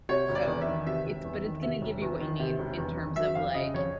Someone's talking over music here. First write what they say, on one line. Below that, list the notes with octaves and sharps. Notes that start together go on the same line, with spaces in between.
So, it's but it's gonna give you what you need in terms of, like,
C3 C#5
E1
D5
E2
E5
D#3
C3 E5
E1
E2
D#3
C3 E5
E1
E2
D#3
C3
E1
E2
D#3
F#3 E5
F2 F5
C#3 D#5
F2 C#5